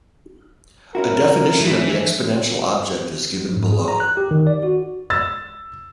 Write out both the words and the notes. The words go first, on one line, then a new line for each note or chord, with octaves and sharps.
A definition of the exponential object is given below.
C#4 E4 F#4 A#4
E3 A3
G#2
G#4
A#5
F#6
G4
D#3
D5
F#4
E6 A6